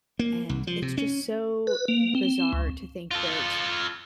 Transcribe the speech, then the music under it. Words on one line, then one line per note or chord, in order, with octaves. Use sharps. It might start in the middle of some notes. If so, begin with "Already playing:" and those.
and it's just so bizarre to think that,
A#3
C2
F3
C3
C#4
B4
A#3
C4
C#2
F4 A4